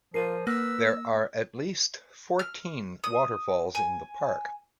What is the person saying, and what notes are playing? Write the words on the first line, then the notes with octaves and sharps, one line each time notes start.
There are at least fourteen waterfalls in the park.
F3 F4 A#4 C7 D#7
A#3 B4 E6 F6 A#6
F6
D#6
G#5